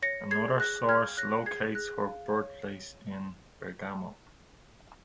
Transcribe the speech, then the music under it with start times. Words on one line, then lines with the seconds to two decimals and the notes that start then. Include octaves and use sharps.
Another source locates her birthplace in Bergamo.
0.02 C#5 A#6 C#7
0.31 G#4 G#6 C7
0.60 G#4 F#6 A#6
0.89 F5 F6 G#6
1.17 C#5 F#6 A#6
1.46 G#4 G#6 C7
1.75 G#4 F#6 A#6
2.04 F5
2.34 C#5